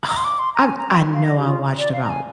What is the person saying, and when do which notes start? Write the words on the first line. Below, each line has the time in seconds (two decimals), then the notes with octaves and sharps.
Oh, I I know I watched about
0.09 A#5
0.17 C6
0.25 D6
0.39 C6
0.55 A#5
0.66 G#5
0.78 A#5
0.90 G5
1.13 F5
1.24 D#5
1.38 G4
1.47 F4
1.78 D5
1.93 F5
2.04 A#5
2.09 G#5